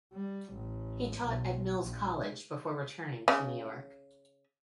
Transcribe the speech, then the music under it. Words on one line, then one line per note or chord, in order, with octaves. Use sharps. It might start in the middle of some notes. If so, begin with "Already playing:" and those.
He taught at Mills College before returning to New York.
G3
A1
B1
A#1
C#3